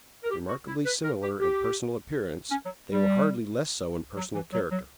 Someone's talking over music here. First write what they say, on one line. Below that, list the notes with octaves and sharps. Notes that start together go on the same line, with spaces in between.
Remarkably similar in personal appearance, they were hardly less so in personal character.
A#4
G4
F#4
E4
B4
A#4
G4
G4
C#4
F#3
G3
F#3
E3
F#3
F#3